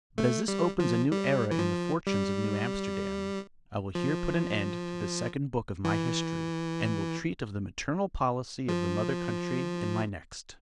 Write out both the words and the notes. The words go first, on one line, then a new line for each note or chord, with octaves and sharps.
But as this opens a new era in the fortunes of New Amsterdam I will here put an end to this second book of my history, and will treat of the maternal policy of the mother country in my next.
A3
G3
F3
G3
E3
F3
G3
F3
E3
F3